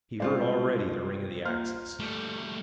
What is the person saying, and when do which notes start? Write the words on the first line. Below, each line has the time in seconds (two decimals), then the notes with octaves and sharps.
He heard already the ring of the axes.
0.20 C2 G#3 C4 F4 C5 D5
1.45 A#3 F4 C5 F6
2.00 G3 A3